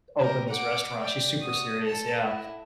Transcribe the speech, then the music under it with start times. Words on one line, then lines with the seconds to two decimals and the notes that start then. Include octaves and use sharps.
open this restaurant, she's super serious, yeah,
0.18 G4 A#4
0.49 F#5 D6
0.98 D5 G5
1.41 F#4 D#6
1.82 A4 A5
2.22 E4